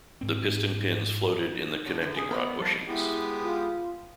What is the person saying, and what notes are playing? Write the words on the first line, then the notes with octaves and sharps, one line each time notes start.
The piston pins floated in the connecting rod bushings.
G#2 C4
F#2 D4 C#5
F#2 D3 A3
G#2 G#4 G#5
B3 A#4 C#5 D#5
F3 G3 A5
G#3 B3 E4 G4
F4